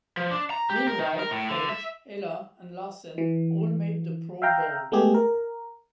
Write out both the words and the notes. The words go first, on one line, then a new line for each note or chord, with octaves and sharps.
Meanwhile, Page, Eller and Larsen all made the Pro Bowl.
F3
D4
A#5
G4
A#4
D#3
A#4
A2
D3
E5
E3
E5 F5 G5 A#5
G#3 A3 B3 G4 G#4
A#4